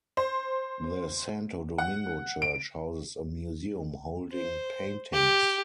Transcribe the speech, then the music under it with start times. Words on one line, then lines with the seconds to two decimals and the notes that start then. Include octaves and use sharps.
The Santo Domingo church houses a museum holding paintings.
0.17 C5
1.78 F#5
2.42 D7
4.33 C5
5.13 G4